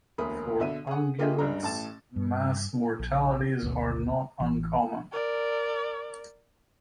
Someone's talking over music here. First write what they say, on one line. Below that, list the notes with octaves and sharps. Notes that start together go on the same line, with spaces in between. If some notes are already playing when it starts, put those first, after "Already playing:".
For ungulates mass mortalities are not uncommon.
E1 D2 A#3 B5 D#6
B2 D3 E5 D#7
G#4 F#5
A#3 F4 G4 G#4 D#5 E5
C#2 G2 D4 A#5
A1 A2 A5 A6 E7
G2
A#1
G#1 D2 B2
A1 E3
A#4 D5